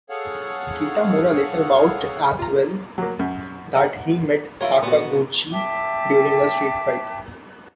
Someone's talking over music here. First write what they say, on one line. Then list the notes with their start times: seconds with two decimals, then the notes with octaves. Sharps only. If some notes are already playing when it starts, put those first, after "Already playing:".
Kitamura later vouched as well that he met Sakaguchi during a street fight.
0.10 G#4 A4 C#5 F5 F#5
2.39 F4 A#5
2.98 F#3 A#3
3.19 F#2
3.75 D#5 F#5 A#5
4.61 E4 F4 A#4 C#5
4.82 A#2 B3 F#4
5.52 E5 G5 A5 D6